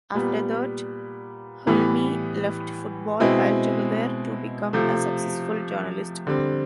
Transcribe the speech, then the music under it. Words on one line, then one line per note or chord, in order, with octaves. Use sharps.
After that, Hulme left football altogether, to become a successful journalist.
A#2 G3 B3
A2 E3 G3 B3
B2 G#3 C4 E4
C3 F3 A3
D3 G3 C4